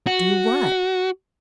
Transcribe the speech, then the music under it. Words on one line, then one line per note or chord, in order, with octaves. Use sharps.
"Do what?"
F#4